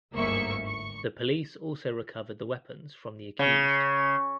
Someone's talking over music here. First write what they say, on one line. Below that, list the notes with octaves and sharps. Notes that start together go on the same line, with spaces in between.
The police also recovered the weapons from the accused.
G1 D2 G#2 A#3 E5 C#6
C#6
C#3